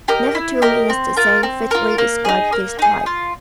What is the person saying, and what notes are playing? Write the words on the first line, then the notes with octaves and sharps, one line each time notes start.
"Never two minutes the same" fitly describes this type.
G4 A#4 D#5
E4
G4 A#4 D#5
C4
F4 A#4
C4
F4 A#4
A#3
D#4 G#4
A#3
D#4 G#4
F4